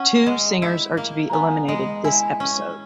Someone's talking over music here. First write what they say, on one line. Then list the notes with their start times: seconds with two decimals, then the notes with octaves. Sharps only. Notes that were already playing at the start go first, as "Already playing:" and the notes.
Two singers are to be eliminated this episode.
Already playing: C#4 F#5
0.27 G#3
0.62 E4
0.97 A#3
1.30 A#5
1.33 B3 G#5
1.68 G#3
2.04 E4 G#5
2.40 C#4